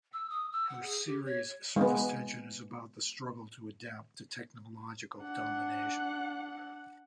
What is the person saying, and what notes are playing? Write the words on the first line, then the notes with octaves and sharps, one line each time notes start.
Her series "Surface Tension" is about the struggle to adapt to technological domination.
E6
D#6
E6
F#5
G#4
G4
C#5
G#3 B3
D4 F#5